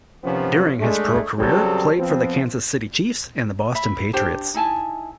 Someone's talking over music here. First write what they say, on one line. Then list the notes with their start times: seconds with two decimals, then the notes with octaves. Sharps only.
During his pro-career, played for the Kansas City Chiefs and the Boston Patriots.
0.23 C3 D#3 F3 B3 C#4
0.79 G#3 A3 D4
1.37 C#3 F#3 G3 C4 G#4 A4
1.98 F3 B3 C4
3.75 E5 B5
4.13 D4 G4 C5 G5
4.54 D#4 E4 G#5 A5